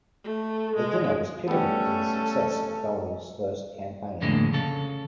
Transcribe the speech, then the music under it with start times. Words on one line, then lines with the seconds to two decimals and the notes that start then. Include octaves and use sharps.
The dinner was pivotal to the success of Dole's first campaign.
0.24 A3
0.76 G#3
1.48 G3 A3 B3 C#4 A4
4.22 F2 A2 D3 G#3 A#3
4.54 C#3 A4